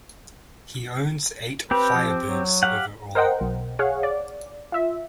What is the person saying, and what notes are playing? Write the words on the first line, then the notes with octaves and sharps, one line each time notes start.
He owns eight Firebirds overall.
C4 G4 B4
F3
F#3
G4 F5 F#5
A#4 C5 D#5 F#5 G5
B1
G#4 C#5 F5 F#5
D5
F4 E5